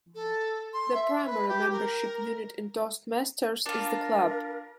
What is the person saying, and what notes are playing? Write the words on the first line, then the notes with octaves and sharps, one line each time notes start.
The primary membership unit in Toastmasters is the club.
A4
C6
E5
B4
G4
A#4
D4 F4 A#4